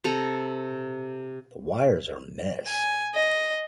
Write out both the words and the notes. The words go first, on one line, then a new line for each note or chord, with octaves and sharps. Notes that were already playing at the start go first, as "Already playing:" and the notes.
The wires are mess.
C3 A4 A#5
G#5
D#5